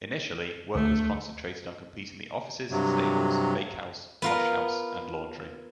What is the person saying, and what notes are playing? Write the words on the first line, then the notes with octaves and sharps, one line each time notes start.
Initially work was concentrated on completing the offices, stables, bakehouse, wash-house and laundry.
D2 A3
G2 C3 F#3
B3 F4 A#4